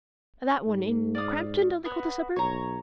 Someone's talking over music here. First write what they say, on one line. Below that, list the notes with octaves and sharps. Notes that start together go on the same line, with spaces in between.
That one,--in Crampton, don't they call the suburb?
G#2
D5 F5 D#6
B3 F#4
B1 C#5 A#5